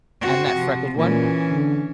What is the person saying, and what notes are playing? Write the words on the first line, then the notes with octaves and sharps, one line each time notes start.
"And that freckled one?"
C4 F#4
C3 F3
A#2 E3 C#4
D3